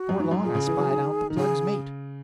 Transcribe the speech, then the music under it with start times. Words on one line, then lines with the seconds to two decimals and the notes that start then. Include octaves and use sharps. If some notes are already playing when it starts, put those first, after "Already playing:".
Before long I spied out the plug's mate.
Already playing: F#4
0.09 F#2
0.20 G#2
0.31 F#2
0.43 A#2 G#4
0.55 C#3
0.67 E3
0.78 F#3
0.90 D#3
1.30 D#3
1.36 C#3 G#4